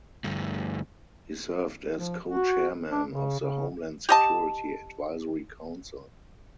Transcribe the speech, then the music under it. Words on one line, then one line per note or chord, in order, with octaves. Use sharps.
He served as Co-chairman of the Homeland Security Advisory Council.
D2 G2
F3
F#4
D4
C#3
C#3
G4 D#5 A5